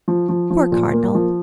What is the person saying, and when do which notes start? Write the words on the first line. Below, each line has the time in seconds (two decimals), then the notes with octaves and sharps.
Poor cardinal!
0.08 F3
0.29 F3
0.50 F3
0.72 A#2
0.93 A#3
1.15 F3